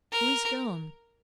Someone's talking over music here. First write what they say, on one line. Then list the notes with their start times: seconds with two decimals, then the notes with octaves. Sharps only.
Who is gone?
0.12 A#4